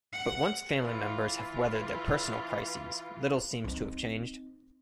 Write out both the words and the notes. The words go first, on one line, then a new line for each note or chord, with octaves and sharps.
But once family members have weathered their personal crises, little seems to have changed.
F#5
E3 F4
C4 D#4